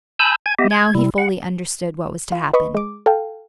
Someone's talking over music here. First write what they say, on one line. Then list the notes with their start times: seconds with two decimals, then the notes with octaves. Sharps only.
Now he fully understood what was to happen.
0.19 G#5 A5 B5 E6 G6
0.46 G#5 G#6
0.59 B3 G4 D#5 E5
0.71 G#6
0.95 C3 G3 E4
1.18 F#5
2.32 F4
2.53 B4 D#5 B5 C#6
2.75 G#3 D6
3.06 A4 F5 G5